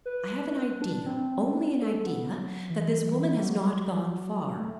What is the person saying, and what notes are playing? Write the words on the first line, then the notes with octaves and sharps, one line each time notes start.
I have an idea--only an idea--that this woman has not gone far.
B4
D4
C4
C4
C4
D4
A4
B3
F#3
E3
E3
G3
F#3
A3